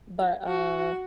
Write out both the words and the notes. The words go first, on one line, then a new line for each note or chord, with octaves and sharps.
but, uh,
F#4